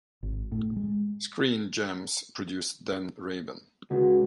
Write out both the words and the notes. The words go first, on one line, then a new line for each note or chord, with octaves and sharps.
Screen Gems produced "Dan Raven".
G#1
A2
G#3
C#2 F#4